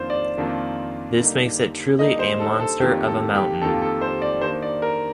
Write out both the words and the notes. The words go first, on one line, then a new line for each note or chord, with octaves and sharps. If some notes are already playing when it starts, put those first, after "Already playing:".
This makes it truly a monster of a mountain.
Already playing: F2 D#3 A#3 D4 F4 C5
D5
F2 D#3 A#3 D4 F4
D3 G3 A#3 D#4
D3 G3 A#3 D#4 D#5
C5
A4
A4
F2 D#3 A#3 F4 G4
A4
G4
F2 D#3 A#3 F4 A4
A4
C5
D5
D#3 A#3 D4 C5
D5
A#4